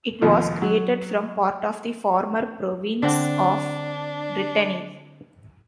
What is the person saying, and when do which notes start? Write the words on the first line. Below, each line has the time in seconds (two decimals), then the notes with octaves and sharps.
It was created from part of the former province of Brittany.
0.21 D#2 B2 F3 A3
0.62 F#3
3.03 D3 C4 D4 F#5